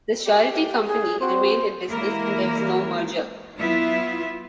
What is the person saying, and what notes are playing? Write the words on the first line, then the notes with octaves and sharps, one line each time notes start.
The surety company remained in business, and there was no merger.
G4
G#4
C4 F#4 C5
E3 G#3 A#3 E4 A#4
F#3 B3 E4 F4 E5